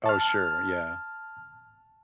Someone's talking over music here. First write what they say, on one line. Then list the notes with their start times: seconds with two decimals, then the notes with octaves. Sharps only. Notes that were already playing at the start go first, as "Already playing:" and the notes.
Oh, sure. Yeah.
0.06 A5 F6